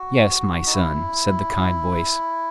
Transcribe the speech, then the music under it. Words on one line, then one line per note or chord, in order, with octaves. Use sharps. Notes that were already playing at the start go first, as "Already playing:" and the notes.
"Yes, my son," said the kind voice.
Already playing: F#4
D#4
E4